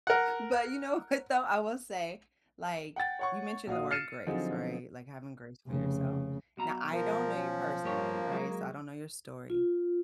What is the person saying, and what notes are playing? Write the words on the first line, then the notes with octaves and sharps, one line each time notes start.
but, you know what, though? I will say, like, you mentioned the word "grace," right? Like, having grace for yourself. Now, I don't know you personally, right? So, I don't know your story.
A#4 F#5
F#5 G5 A6
C#5 F#5 C#6
A#1 F#4 F5 D#6
F6 A6 C7 C#7 D#7 E7
D3 F3 F#3 C4 D#4 G#4
F1 C#3
B1 B2 F#4 A#5
F3 A#4
C#4
G2 A#3 G4 C#5
F#3 G#3
F4